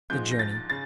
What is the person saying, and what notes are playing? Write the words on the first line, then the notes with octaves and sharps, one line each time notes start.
The Journey.
G#2 F3 G#3 G6
A#6
A6
C#3 A6